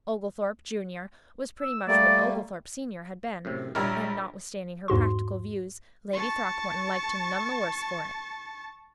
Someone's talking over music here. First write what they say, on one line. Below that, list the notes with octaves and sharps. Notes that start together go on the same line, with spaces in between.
Oglethorpe, junior, was pretty much what Oglethorpe, senior, had been, and notwithstanding her practical views, Lady Throckmorton liked him none the worse for it.
E6
G3 A3 A#3 D5
F#2 A2 C3
A#1 G3 A#4 C#5 E5 A#5
E2 G#2 F#4 C6
A5 C#6